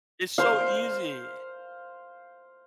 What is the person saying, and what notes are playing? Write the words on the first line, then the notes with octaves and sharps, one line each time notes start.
It's so easy.
C5 F5